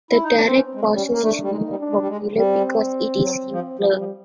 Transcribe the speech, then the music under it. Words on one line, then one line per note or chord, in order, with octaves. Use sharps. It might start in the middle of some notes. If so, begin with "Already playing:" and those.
The direct process is more popular because it is simpler.
E4
D#4
B3 D4
C4
C#4
C4
G#3
G3 C#4
A#3
A3 D4
G3
G#3 D#4
G3
D4
G#3
G3
G#3
G3 C4
F#3
F3
F3 G3
F3